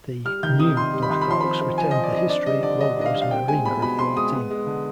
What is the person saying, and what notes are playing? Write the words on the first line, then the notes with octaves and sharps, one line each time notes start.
The "new" Black Hawks retained the history, logos, and arena of the old team.
G3 F6
D#3 G6
C3 D#6
C3 C6
G3
B5
D#3 C6
B5
F3 C6
C4 B5
C4
F3 G#5
F3 D#5
D5
C4 D#5
D4 D5
G3 D#5
D3 D5
D3 D#5
D4 D#5
F5
G3
F5
C4 G5
G#3 G#5
B2 B5
B2 B5
C4 C6
G#3 D#6
B3
G#3
D3